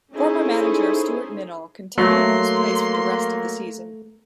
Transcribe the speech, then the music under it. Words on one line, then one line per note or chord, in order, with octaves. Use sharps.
Former Manager, Stuart Minall, continued in his place for the rest of the season.
C#4 D#4 E4 G#4 A4 C5
F#3 A3 A#3 C6